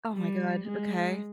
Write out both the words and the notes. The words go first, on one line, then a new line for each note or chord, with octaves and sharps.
Oh, my god. Okay.
G3
G#3